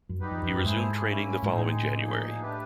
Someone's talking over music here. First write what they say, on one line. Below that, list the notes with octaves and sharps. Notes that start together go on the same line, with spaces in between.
He resumed training the following January.
F#2
G3 B3 D#4 G4 B4
F2
F2
F#2
G#2 A3 C4 E4 G#4 C5
A#3 C#4 E4
G#2
A2 G#3 C4 D#4 G#4
A#2 F3 A#3 D#4 G#4
A3 D4 G4 B4